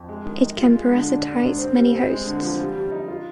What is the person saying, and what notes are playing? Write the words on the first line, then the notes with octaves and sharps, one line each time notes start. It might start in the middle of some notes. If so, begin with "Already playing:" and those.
It can parasitize many hosts.
Already playing: F2
G#3
D#3
D#4
F4
G#3
D3
D4
D4
G#2
C4
G3
C4
G#3
D3
F3
G3
G3
D#4
F4